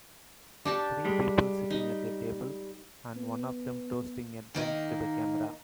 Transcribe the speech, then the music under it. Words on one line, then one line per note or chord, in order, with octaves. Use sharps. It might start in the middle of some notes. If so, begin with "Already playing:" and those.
Three people sitting at a table, and one of them toasting a drink to the camera.
D4 G4 A5
G3 G#3
D#4
B3
D#3 A#3 D#4